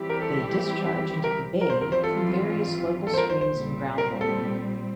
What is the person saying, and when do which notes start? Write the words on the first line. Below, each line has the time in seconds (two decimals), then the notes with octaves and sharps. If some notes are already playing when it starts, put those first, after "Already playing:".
They discharge into the bay from various local streams and groundwater.
Already playing: E3 G3 C4 E4 G4
0.10 A#4
0.22 A4
1.24 A#4
1.61 A#4
1.70 G2 E3 G3 C4 F4 C5
1.81 A#4
1.92 C5
2.04 A4
3.07 A4
3.14 C5
3.18 A#4
3.30 C5
3.41 C5
3.52 A#2 G3 C4
3.98 A#4
4.21 A4